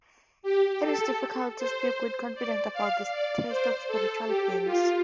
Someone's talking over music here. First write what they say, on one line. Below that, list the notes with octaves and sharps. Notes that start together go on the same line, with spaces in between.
It is difficult to speak with confidence about the tastes of spiritual beings.
G4
A4
C5
D5
F5
D5
C5
A4
G4
F4